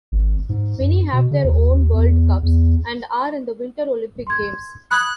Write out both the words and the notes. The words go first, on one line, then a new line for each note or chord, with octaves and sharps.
Many have their own world cups and are in the Winter Olympic Games.
G#1
G#2
F#2
B2
C#3
D#2
E2
E2
C6 G#6
B5 D#6 F#6 G#6